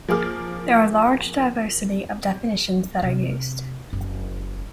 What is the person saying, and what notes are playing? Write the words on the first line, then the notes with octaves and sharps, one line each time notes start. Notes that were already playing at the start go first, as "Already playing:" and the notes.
There are large diversity of definitions that are used.
F3 A#3 G#4 D6 F6
C3
F#1